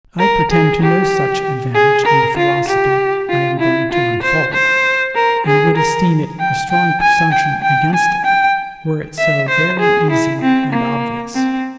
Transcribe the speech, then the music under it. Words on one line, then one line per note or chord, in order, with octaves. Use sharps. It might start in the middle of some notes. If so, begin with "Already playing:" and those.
I pretend to no such advantage in the philosophy I am going to unfold, and would esteem it a strong presumption against it, were it so very easy and obvious.
A#4
G#4
G4
G#4
A#4
F4
G4
F4
E4
F4
C5
C5
A#4
G#4
A#4
G5
G5
G#5
G5
G5
G#5
G5
E5
C5
G#4
E4
C4
A#3
C4